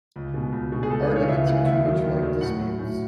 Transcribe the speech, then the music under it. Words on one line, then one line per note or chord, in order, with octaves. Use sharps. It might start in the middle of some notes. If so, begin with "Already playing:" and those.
Arguments are too much like disputes.
C#2
B2 G#3
C#2
B2 G#3
G#4
C#2 A4
B4
C#3 E3 G#3
C#5
C#2 E5
C#3 E3 G#3 F#5
D#2 E5
D#3 F#3
D#2
D#3 F#3
A2 F#5
F#3
A2